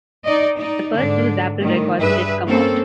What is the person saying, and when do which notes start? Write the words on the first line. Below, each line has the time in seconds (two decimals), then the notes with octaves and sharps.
The first two Zapple records did come out.
0.24 D#4 D5 D#5
0.57 D#4 D5
0.95 G#2 D3 D4
1.61 A2 D#3 G3
1.99 G2 G#4 B4 E5
2.48 A#3 C4 C#4 A4